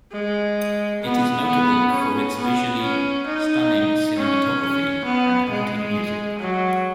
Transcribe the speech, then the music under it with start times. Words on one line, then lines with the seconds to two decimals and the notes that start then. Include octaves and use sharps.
It is notable for its "visually stunning cinematography and haunting music".
0.12 G#3
1.02 B3
1.47 B3
1.92 C#4
2.36 B3
2.81 C#4
3.26 D#4
4.16 C#4
4.60 C#4
5.05 B3
5.50 G#3
6.39 F#3